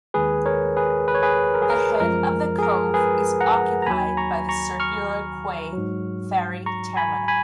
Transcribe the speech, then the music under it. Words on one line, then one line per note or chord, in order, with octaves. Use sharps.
The head of the cove is occupied by the Circular Quay ferry terminal.
D#2 D#3 G#3 G#4 B4
A#4 C#5
G#4 B4
B4
C#5
G#4 B4
A#4
G#4
A#4
F#2 F3 G#3 A#4
G#4
A#4
G#4 B4
F#5 A#5
A#5
D#2 D#3 F#3 G#5 B5
A#5 C#6
A#5 C#6
C#6 F6
G#2 F#3
A#5 C#6
G#5 B5
G#5 B5